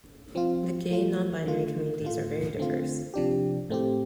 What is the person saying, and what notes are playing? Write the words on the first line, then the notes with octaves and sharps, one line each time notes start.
The gay and non-binary communities are very diverse.
F3 C4 F4
F3 A3 F4
D3 A3 F4
A2 A3 F4
D3 A3 C4 F4
C3 F3 D4 G4
A2 A3 C4 G4